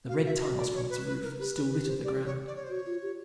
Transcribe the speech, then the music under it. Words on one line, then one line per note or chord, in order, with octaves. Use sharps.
The red tiles from its roof still litter the ground.
F#4 F5
E5
D#5
D#5
D5
C#5
B4
B4
A#4
G4 B4
B4
B4
C5
D5
C#5
D5
C#5
C5
F#4 C#5
F4
G4